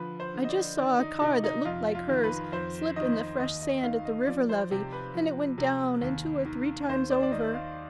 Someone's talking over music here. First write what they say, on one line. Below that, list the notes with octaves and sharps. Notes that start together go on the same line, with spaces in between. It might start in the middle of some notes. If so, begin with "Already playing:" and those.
"I just saw a car that looked like hers slip in the fresh sand at the river levee, and it went down, and two or three times over."
Already playing: D3 F3 B4
C5
D3
D#5
D5
D#3 D5
D#4
C3 D#4
D#4
F2 F4
F4
D#3
B4
F2 C5
D#3 D#5
D#2 D#5
D#5
D#3 F5
D#5
F3 D5
C5
C3 G4
B4
F3
C3
D#2
D#3
D#2 C5
D5
D5
D#3 D#5
F5